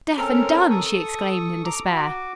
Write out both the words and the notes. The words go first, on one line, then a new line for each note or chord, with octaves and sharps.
"Deaf and dumb!" she exclaimed in despair.
C4 C#4 A4 A#4 A#5
A4 C#6 D#6
A#5 D6
F#4 D6